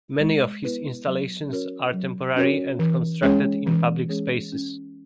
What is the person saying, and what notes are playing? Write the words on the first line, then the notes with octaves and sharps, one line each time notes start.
Many of his installations are temporary and constructed in public spaces.
G#3
B3 E4 B4
F#3
C#4 F#4 A#4 C#5
F#3
C#4 F#4 A#4 C#5
E3
G#3 C#4 G#4 C#5
E3
G#3 C#4 G#4 C#5
C#4